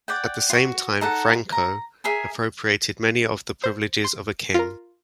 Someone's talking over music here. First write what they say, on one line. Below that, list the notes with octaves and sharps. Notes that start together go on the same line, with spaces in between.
At the same time, Franco appropriated many of the privileges of a king.
D5 F#5 G5
F4 F#4
D#4 A4 F#5
A#5
G#4 A#4 E5 G#5
C5
C6
F4 A#4